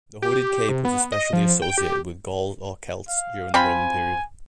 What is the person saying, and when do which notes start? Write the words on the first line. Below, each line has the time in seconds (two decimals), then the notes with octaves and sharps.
The hooded cape was especially associated with Gauls or Celts during the Roman period.
0.22 G4
0.69 C3
0.85 B3
1.12 D#5
1.33 F3
1.62 G5
1.78 G4
3.08 F5
3.54 C4 F4 G#5 B5